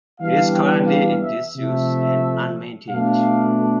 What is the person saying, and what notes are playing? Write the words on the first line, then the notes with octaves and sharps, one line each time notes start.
It is currently in disuse and unmaintained.
E3 G3 B3 D4 F5
G5
F5
E5
C3 F3 A3 E5
B2 A3 D4 F5